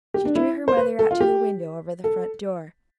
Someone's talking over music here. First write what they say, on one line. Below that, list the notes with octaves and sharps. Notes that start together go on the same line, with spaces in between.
She drew her mother out to the window over the front door.
G4
D4
E4
C5
B4
A4
F4
G4
A4